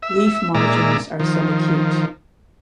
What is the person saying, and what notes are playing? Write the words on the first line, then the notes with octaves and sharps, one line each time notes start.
Leaf margins are subacute.
E5
A#2 G#3 D5 E5 A#5
D#3 F3